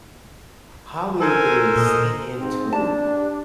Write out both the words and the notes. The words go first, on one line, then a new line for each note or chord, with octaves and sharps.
how do they sneak into
A4 A#4 C5 G#5
A#2 D#5
G#2 C4
D4 G4 A5